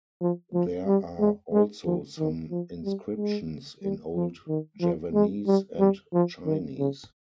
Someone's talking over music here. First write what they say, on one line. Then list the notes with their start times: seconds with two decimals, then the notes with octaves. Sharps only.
There are also some inscriptions in Old Javanese and Chinese.
0.21 F3
0.54 F3
0.87 G3
1.19 G#3
1.53 G#3
1.85 F3
2.18 D#3
2.51 F3
2.84 G3
3.16 G#3
3.82 G3
4.16 F3
4.48 D#3
4.81 F3
5.14 G#3
5.47 G3
5.79 G3
6.13 F3
6.46 D#3
6.78 C#3